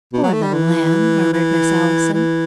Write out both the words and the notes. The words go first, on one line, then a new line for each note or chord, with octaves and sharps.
"Poor little lamb," murmured Miss Allison.
B2
F#3
A3
G3
E3
E3
E3